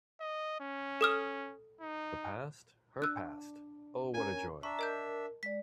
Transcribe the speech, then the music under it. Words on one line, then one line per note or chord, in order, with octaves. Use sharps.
The past — her past, oh, what a joy!
D#5
C#4
A4 D#6 F6
D#4
D4 E6 F#6
C#4 A#4 G#5
D4 E5 A#5 C#6
A#4 D#5 A5 G6
G#3 D5 B6